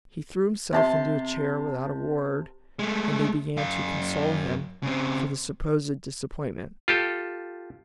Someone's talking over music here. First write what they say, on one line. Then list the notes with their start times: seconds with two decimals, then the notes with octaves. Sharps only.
He threw himself into a chair without a word, and they began to console him for the supposed disappointment.
0.73 C3 A5 C6
2.79 G#3 A3
3.57 F#2 F5
4.83 C#3 C4
6.88 F4 G4 A4